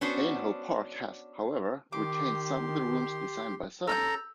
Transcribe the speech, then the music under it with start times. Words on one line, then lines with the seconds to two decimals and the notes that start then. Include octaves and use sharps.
Aynhoe Park has, however, retained the rooms designed by Soane.
0.01 B3 C#4 D4 F#4 C5
1.93 D#3 G4 C6 D6
3.87 C#4 A4 A#5 E6 F6 G6